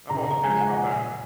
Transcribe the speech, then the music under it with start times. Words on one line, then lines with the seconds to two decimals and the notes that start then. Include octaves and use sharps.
I'm on the fence about that one.
0.09 C#3 A#5
0.27 A#5
0.44 F3 G#3 G#5
0.60 F#5
0.77 A#2 G#5